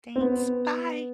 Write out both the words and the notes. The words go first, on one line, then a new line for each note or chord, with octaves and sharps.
Thanks, bye.
C4
B3